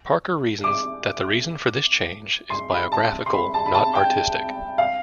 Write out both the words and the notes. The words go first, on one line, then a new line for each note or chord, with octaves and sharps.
Parker reasons that the reason for this change is biographical, not artistic.
D6
C6
B5
A5
C6
B5
A5
B5
A5
G5
F5